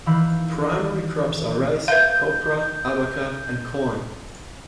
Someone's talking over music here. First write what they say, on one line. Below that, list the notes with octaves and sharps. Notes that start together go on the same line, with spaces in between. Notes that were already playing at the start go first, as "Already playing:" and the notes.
Primary crops are rice, copra, abaca, and corn.
D#3 E3 F5 B5 E6 G6
B4 E5 F5 G6